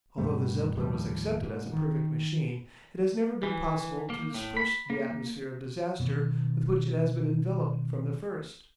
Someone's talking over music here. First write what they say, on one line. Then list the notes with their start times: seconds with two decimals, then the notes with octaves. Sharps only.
Although the Zeppelin was accepted as a perfect machine it has never been possible to disperse the atmosphere of disaster with which it has been enveloped from the first.
0.18 G2 B2 G3 A3
0.77 D#2 A2 F3 G3
1.40 G#2
1.72 D#3
3.43 E3
4.10 A#3
4.34 A2
4.57 B5
4.90 A#3
6.00 B2 D#3 B3